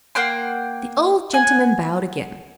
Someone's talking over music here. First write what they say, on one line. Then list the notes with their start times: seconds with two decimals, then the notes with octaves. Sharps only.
The old gentleman bowed again.
0.15 A#3 F#5 G5 C6
1.33 F#5 G#5